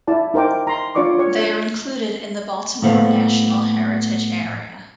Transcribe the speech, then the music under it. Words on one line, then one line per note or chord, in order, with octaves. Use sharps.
They are included in the Baltimore National Heritage Area.
E4 D5 A5
D#4 A#4 C5 G5 D6
A#5 C6
D4 F4 C#5 D5 C#6 D6
C#5 C#6
A4
A2 A#3 B3 A4 C5 F5